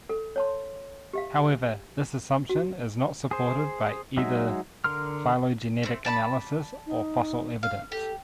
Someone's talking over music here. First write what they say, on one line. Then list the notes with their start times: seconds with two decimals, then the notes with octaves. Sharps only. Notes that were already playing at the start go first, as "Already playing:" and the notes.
However, this assumption is not supported by either phylogenetic analysis or fossil evidence.
0.09 A4
0.36 C#5 A5 C6
1.13 G4 E5 F5
2.49 F#4
3.31 G#4 C5
4.17 F#3 G#3 D#4 F#4 E5
4.84 D3 A#4 C6 F6
5.83 A3 C4
6.05 D5 A5 B5
6.86 D#4
7.63 F5
7.92 G4 A4